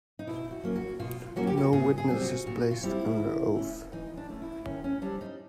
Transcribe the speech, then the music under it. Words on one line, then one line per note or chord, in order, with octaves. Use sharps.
No witness is placed under oath.
D#4
B2 E4
F#4
F#3 A#3 C#4
F#4
B2 F4
F#3 A#3 C#4 F#4
G4
F#4
A#2 G#4
G#4
G3 C4
F#4
A#2 F#4
F4
G3 C4 E4
E3
A3 C#4
E3 D#4
D4
A3 C#4
E4
D#3 C#4
C#4
G3 C4 D4
D#4